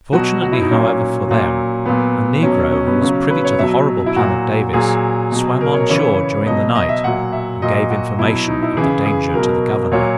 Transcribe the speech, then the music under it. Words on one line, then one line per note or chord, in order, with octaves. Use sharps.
Fortunately however, for them, a negro, who was privy to the horrible plan of Davis, swam on shore during the night, and gave information of the danger to the governor.
B2 F#3 F#4
F#4
E4
D#4
A#2 F#3 C#4
A#2 F#3
A#2 F#3 B3
B2 F#3 C#4
C#4
B3
C#3 F#3 C#4
B4
C#5
B2 F#3 E5
E4
A#2 F#3 F#4
A#2 F#3 G#4
B2 F#3
A#4
C#5
C#3 E3 C#5
B2 F#3 D#5
D#5
E5
A#2 F#3 F#5
E5
A#2 F#3 D#5
F#4
B2 F#3 E4
D#4
E4
C#3 E3 G#4
G#4
B2 F#3 A#4
A#2 F#3 C#5